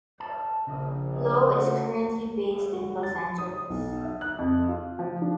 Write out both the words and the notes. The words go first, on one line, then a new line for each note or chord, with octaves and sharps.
Low is currently based in Los Angeles.
A5
A#1 C#3
A3 C#4 F#4
F#4
A6
D#6
B1
E5
F#6
F2
F4
F3
D4